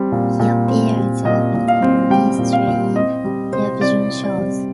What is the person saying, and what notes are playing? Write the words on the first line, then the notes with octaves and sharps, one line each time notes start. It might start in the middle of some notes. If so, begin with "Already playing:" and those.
He appears often on mainstream television shows.
Already playing: G3 C4
A#2
A#2
C4
G3
A#2 D#5
A#2
F5
C4
G3 G5
A#2
F5
A#2
C4 D#5
G3
C3 C5
C3 D5
C4
D5
G3